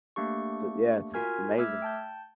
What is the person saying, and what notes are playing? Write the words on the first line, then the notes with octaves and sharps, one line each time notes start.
so, yeah, it's a it's amazing.
A3 A#3 D4 G4 C#6
F4 F#4 A#4 G#5 F6 G#6
A3 E5 D6 E6 F6 G#6
G5 A5 G6